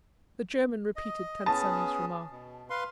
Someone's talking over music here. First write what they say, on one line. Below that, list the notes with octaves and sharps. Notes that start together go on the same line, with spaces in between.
The German repeated Tant Sannie's remark.
D#5
B3 C#4 G#4 A5
B2
B4 F5 C6